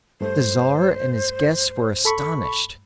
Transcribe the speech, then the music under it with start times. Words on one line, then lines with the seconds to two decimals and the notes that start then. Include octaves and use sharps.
The Tsar and his guests were astonished.
0.21 G2 A3 C5
2.05 A4 B5 C#6